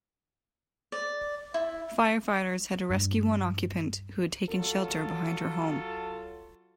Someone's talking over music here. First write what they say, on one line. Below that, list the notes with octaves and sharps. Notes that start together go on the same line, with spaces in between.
Firefighters had to rescue one occupant who had taken shelter behind her home.
D5
E4
G2
F#3 F4 A4